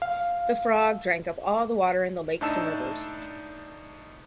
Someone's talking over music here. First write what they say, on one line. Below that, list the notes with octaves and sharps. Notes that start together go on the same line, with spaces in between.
The frog drank up all the water in the lakes and rivers.
F5
A2 D4 D#4 A5 E6 E7